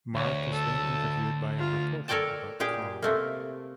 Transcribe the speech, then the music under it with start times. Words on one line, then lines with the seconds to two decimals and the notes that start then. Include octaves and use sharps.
Mark is then interviewed by a reporter about Kham.
0.15 D2 C#5
0.53 A4
1.59 F4
2.08 A4 A#4 C#5 D5 G5 A5
2.60 A#2 G4 G#4 G5
3.02 C3 A3 A#3